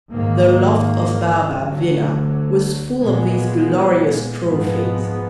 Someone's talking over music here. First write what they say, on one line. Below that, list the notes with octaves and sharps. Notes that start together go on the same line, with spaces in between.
The loft of Baobab Villa was full of these glorious trophies.
G#2 D#3 A#3
D2 D3 F#3
A#2 G#3 B3
G#2 F3 G#3 B3